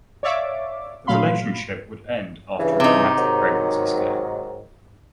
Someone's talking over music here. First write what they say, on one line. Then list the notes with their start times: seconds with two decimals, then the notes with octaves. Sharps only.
The relationship would end after a dramatic pregnancy scare.
0.23 C#5 D5 E5 F5 D6
1.07 A#2 F#3 A3 F5 B5 C6
2.59 G2 C#3 E3
2.80 C3 D#4
3.17 G#2 D#3 F#3